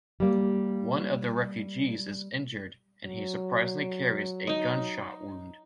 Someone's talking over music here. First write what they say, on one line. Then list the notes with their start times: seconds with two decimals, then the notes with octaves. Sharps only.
One of the refugees is injured and he surprisingly carries a gunshot wound.
0.20 G3 A#3
3.05 F#3
4.47 D#4 D#5